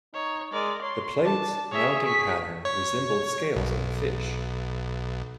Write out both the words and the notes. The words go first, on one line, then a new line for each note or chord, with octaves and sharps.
The plates mounting pattern resembled scales on a fish.
D#4 C#5
G#3 A#4 D5
C#5 C6
D4 A5
G#4 C#5 E5
C#6 B6
C#5
B1